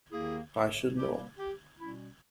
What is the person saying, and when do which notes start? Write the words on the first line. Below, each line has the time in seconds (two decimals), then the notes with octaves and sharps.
I should know.
0.11 D#2 D#3 A#3 E4 G#4
0.96 B2 G3 A#3 G4
1.38 G4
1.79 B2 G3 C#4 E4